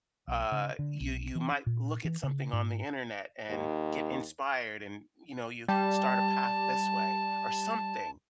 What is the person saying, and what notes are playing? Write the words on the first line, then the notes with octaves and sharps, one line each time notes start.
uh, you you might look at something on the internet and get inspired and, you know, you start a path this way, or something.
B1
C#3
D3
B1
E3
C#4
A#2
E3
C#3
G#2
D#2
G3 A5